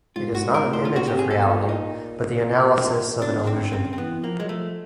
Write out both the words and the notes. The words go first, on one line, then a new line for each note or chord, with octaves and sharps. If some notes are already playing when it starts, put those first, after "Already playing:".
It is not an image of reality, but the analysis of an illusion.
G#2 F4
A2 F#4
G#2
A#4
A2
C5
F4
A#2 F#4
C3 G4
G#4
B2 A4
A#2
A#2 D#4
B2 D4
D#3
D3 C4
C#3 C4
C4
E3 B3
F3 A#3
G#3
F#3
F3 A3